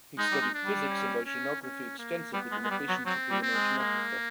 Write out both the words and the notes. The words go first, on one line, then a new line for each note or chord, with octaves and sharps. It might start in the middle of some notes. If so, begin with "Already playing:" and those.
He studied physics and oceanography extensive with an ambition to be an oceanographer.
G#3 D#4
G3
G#3
D4
G3
C#4
C#4
C#4
A#3
G3 B3
G#3
G#3
G3
F#3
F#3 C4
G3
C4
G#3
A#3